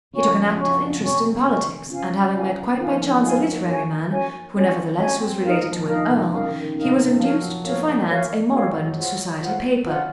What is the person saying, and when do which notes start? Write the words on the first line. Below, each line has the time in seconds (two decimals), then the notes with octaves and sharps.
He took an active interest in politics; and having met quite by chance a literary man--who nevertheless was related to an earl--he was induced to finance a moribund society paper.
0.13 C#3 F#4 C#5 G#5 C#6
0.27 F3
0.42 F#3
0.57 C#3 F#4 C#5 G#5 C#6
1.01 C3 F#4 C#5 G#5 C#6
1.45 F#4 C#5 G#5 C#6
1.89 C#3 F4 C5 F5 G#5
2.33 F4 C5 F5 G#5
2.77 D#3 F4 C5 F5 G#5
2.92 F3
3.07 F#3
3.21 G#3 F4 C5 F5 G#5
3.36 G#3
3.51 A#3
3.66 A#3 C#4 F#4 C#5 G#5
4.10 C#4 F#4 C#5 G#5
4.54 C4 C#4 F#4 C#5 G#5
4.98 C4 C#4 F#4 C#5 G#5
5.21 C4
5.42 A#3 D#4 A#4 F5
5.57 G#3
5.72 F3
5.86 D#3 D#4 A#4 F5
6.09 C3
6.31 C#3 D#4 A#4 F5
6.46 D#3
6.59 D#3
6.75 C#3 D#4 A#4 F5
6.85 C3
6.97 C#3
7.07 C3
7.19 F3 F#4 A#4 C#5 F5
7.41 F#3
7.63 A#3 F#4 A#4 C#5 F5
8.07 F#4 A#4 C#5 F5
8.51 G#3 F#4 A#4 C#5 F5
8.66 F#3
8.81 F#3
8.95 F4 C5 F#5
9.39 F4 C5 F#5
9.83 F#3 F4 C5 F#5